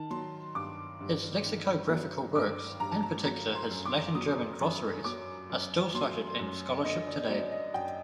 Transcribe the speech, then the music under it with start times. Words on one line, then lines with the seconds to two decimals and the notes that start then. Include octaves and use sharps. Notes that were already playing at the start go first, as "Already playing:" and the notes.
His lexicographical works, in particular his Latin-German glossaries are still cited in scholarship today.
Already playing: D#3 A5
0.11 F#3 C6
0.55 G2 D6
1.01 G2
1.46 D#3
1.90 F#3
2.35 G2 D6
2.80 G2 A#5
2.91 A5
3.03 A#5
3.25 F#3 A#5
3.55 C6
3.70 F#2
3.85 D6
4.15 F#3 D#6
4.60 F#2
5.04 F#3 D6
5.50 F#2
5.94 F#3 C6
6.39 F#2
6.84 D3 D#5
7.07 D5
7.29 F#3 D5
7.52 D#5
7.74 F#2 G5